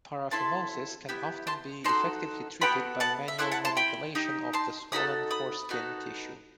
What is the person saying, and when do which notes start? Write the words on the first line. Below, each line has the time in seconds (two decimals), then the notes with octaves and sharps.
Paraphimosis can often be effectively treated by manual manipulation of the swollen foreskin tissue.
0.31 C4 E4 A4 A5 C6
1.09 B3 E4 G4
1.47 A5 C6
1.84 D#4 F#4 A4 A5 C6
2.61 B3 F#4 A4 G5 B5
3.00 F#5 A5
3.28 E5
3.38 C4 E4 A4 D#5 F#5
3.52 F#5 A5
3.65 A5 C6
3.77 G5 B5
4.15 D#4 G4
4.53 A5 C6
4.92 D#4 F#4 A4 B5 D#6
5.31 B5 D#6
5.69 B3 D#4 F#4 A4